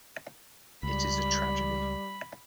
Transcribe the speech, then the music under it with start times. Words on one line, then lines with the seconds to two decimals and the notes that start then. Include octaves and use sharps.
It is a tragedy.
0.83 C#2 G3 B5